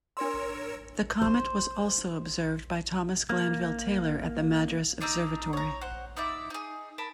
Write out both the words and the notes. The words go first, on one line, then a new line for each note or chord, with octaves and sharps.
The comet was also observed by Thomas Glanville Taylor at the Madras Observatory.
D4 A#4 C#5 C6 E6
C5
A#3
D4 D#4 A#5 E6
C#5 A#5
C5 F#5
D#4 E4 D5 E5
D#4 G#4
A#4 A5 B5